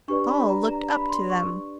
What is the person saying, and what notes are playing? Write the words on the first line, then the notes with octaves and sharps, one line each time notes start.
All looked up to them.
D4 G4 B4 D5 C#6
B5
A#5
A#5
B5
C6
C#6